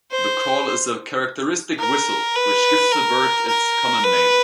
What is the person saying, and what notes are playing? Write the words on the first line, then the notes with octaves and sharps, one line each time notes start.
The call is a characteristic whistle which gives the bird its common name.
C5
A#4
B4
A#4
A#4
B4